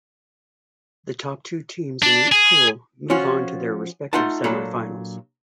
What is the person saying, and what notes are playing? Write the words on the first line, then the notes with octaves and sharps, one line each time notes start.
The top two teams in each pool move on to their respective semifinals.
D4
G#4
F3 C#4 F4 F#4
A3 D#4 F4 F#5 A5
A#2 F#3 D4 A4 A#5 B5